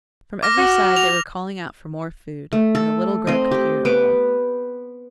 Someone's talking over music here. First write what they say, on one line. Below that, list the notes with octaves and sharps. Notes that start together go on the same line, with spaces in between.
From every side they were calling out for more food, and the little Grub could hear it all.
D6 F6 A#6
F#4
F7
A3
A4
C4 D#5
G4
B3 D6